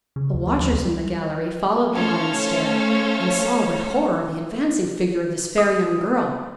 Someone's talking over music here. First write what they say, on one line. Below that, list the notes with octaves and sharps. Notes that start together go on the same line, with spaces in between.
The watchers in the gallery followed the lion's stare, and saw, with horror, the advancing figure of this fair young girl.
C#3
D2
F3
D#2
C#2
G3
A3 C#4 A4 C5 C#5 F5
D#6